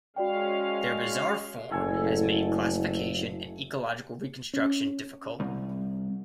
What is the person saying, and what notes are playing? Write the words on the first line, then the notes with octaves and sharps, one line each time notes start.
Their bizarre form has made classification and ecological reconstruction difficult.
G#3 C#4 F#4 D5 F5 G5
F#1 A2 A4 G#5
C#4
C2